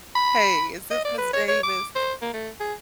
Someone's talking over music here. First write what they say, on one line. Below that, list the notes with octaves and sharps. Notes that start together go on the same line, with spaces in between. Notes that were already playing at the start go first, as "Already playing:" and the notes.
"Hey, is this Ms. Davis?"
B5
D#5
D5
B4
C#5
C#5
D6
C5
A#3
A3
G#4